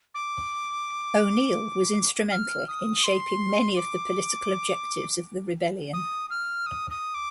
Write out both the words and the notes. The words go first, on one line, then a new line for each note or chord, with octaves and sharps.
O'Neill was instrumental in shaping many of the political objectives of the rebellion.
D6
F6
D#6
C6
D6
D#6
F6
D#6
D#6
D6